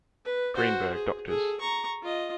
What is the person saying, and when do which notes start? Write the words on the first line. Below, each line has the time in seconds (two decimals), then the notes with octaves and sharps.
Greenberg, Drs.
0.25 B4
0.55 F#4 C5
0.94 G#4
1.27 G#4 A4
1.61 A#5 C#6
2.02 F4 D#5